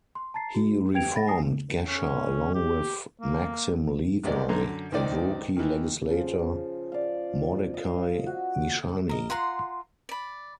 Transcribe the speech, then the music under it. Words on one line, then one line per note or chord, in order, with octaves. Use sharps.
He reformed Gesher along with Maxim Levy and rookie legislator Mordechai Mishani.
C6
A5 A#5 A6 C7
F#4
G4 B4 G5 G#6 D7 F7
F5 B5 A6 A#6
G#5 D#6 A#6 C7
C#4
G4
A#3
B1 C3 G#3 G4 D5
F#2 D3 A#5 C6
C#2 D#3 C4 D#4 D5
D#3 E3
C#3 F3
D5 F5
D#5 F5
F#4
A#4 D#5
F4 F#5 A#5 C6
D5 B5